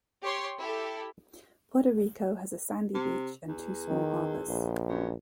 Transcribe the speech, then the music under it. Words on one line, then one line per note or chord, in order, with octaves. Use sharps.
Puerto Rico has a sandy beach and two small harbours.
G4 C#5 C6 C#6
E4 G4 A4
C3
E2
D#3
A#1
F#2